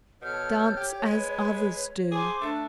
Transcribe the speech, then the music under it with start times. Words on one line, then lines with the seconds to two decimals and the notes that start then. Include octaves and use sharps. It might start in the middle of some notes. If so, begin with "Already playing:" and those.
Dance as others do.
0.22 B2 A4 C#5 F6 G6
0.77 G4
1.05 G#3 B4
2.12 G#4 C5 C6 D6
2.41 A3 D4